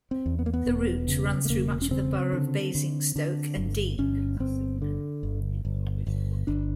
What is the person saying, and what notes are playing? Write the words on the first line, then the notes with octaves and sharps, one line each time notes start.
The route runs through much of the borough of Basingstoke and Deane.
C4
E2
B3
A#3
B3
E1
C#3
A3
E1 A#3
C#4
C#3 C4
D3
D3
D3
G1
G1 C#4
G1 C4
D3
G1
G1
G1
G1 D4